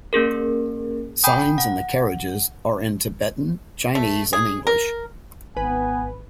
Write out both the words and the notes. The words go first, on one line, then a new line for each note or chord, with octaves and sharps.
Signs in the carriages are in Tibetan, Chinese, and English.
A#3 C#4 G#4 A#4
G5 G#5 A#5 B5 D#6 G6
F#5
A3
G#4
A#4
G#1 B3 B4 G#5